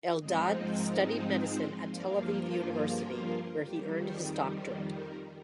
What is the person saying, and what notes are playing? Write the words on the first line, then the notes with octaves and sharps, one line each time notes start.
Eldad studied medicine at Tel Aviv University, where he earned his doctorate.
G#2 F3 G#3 C4 D#4 D#5
C5
A#4
C5
C5
G2 F3 A#3 F4 D5
A#4
G#4
A#4
F2 D#3 G3 G4
G#4
C5
A#4